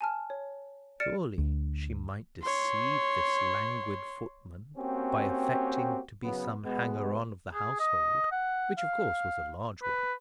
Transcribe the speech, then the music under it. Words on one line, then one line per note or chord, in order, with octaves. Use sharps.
Surely she might deceive this languid footman by affecting to be some hanger-on of the household, which of course was a large one.
G#5 A5 F6
C#5
D5 F6 A6 C#7 D7 E7
D2
C#5 C6
A#3 C4 C#4 F#4 G4
C#3 F#3 B3
B2 G#3 B3
G#4
D#5
F#5
F5
B4